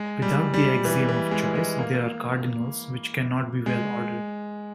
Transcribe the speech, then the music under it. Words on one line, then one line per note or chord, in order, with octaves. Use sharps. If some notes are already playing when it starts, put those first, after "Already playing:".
Without the axiom of choice, there are cardinals which cannot be well-ordered.
Already playing: G#3
G3
G3
E3
E3
G#3
G#3
A#3
G#3